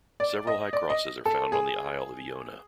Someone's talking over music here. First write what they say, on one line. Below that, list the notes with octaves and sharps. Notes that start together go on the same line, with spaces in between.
Several high crosses are found on the Isle of Iona.
D5
D#5
D5
D#5
A4
G#4